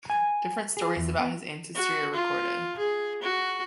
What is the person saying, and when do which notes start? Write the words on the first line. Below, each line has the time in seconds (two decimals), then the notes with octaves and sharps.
Different stories about his ancestry are recorded.
0.10 G#5
0.77 G#4
0.96 E2
1.19 B3
1.75 F#4
2.14 F4
2.78 G#4
3.22 F#4